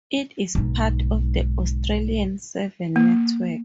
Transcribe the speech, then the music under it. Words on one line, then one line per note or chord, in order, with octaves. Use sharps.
It is part of the Australian Seven Network.
B1 G#2
A#3